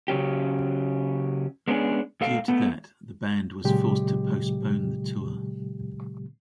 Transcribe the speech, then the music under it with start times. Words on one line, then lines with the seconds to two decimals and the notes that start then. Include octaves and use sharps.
Due to that, the band was forced to postpone the tour.
0.08 C#3 F#3 C#4 G4
1.68 G#3 B3 C#4 D4 G#4
2.21 A2 A4 F5
2.48 A3 B3
3.64 A#2 C#3 F#3 G#3 G4